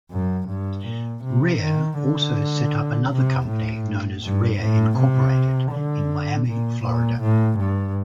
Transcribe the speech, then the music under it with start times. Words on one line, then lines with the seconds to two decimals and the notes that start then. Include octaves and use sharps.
Rare also set up another company known as Rare, Incorporated in Miami, Florida.
0.11 F#2
0.49 G2
0.86 A#2
1.24 C3
1.61 D#3
1.99 D3
3.10 C3
3.47 A2
4.23 G2
4.59 A2
4.97 C3
5.71 D3
6.46 A#2
6.84 A#2
7.21 A2
7.59 G2